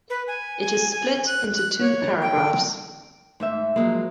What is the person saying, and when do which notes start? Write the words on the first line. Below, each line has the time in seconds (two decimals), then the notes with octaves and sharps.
It is split into two paragraphs.
0.10 B4
0.28 G#5
0.61 G#5
0.91 G#5
1.26 F#6
1.55 F#6
1.80 C#5
2.22 G5
3.40 G#2 A3 C5 E5
3.76 F3 F#3 G#3 A#3